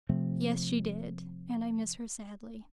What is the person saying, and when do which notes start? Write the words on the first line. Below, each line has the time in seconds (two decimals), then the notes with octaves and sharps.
'Yes, she did; and I miss her sadly.
0.09 C3 F3 A3 C4